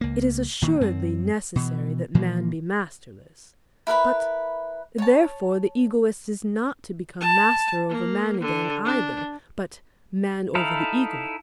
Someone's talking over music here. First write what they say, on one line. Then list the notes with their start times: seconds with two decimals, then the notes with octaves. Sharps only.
It is assuredly necessary that man be masterless: but therefore the egoist is not to become master over man again either, but man over the egoist.
0.01 C#2 A#3
0.62 A#1 D#3 E3 A#3
0.81 F#2 C4
1.56 B2 E3
2.15 A#2 E3 F3 A#3
3.87 E4 A#4 B4 B5
4.98 C#5 A5
7.21 A5
7.89 A#3
8.41 D3
8.85 D4
10.55 D#4 E4 A4 F5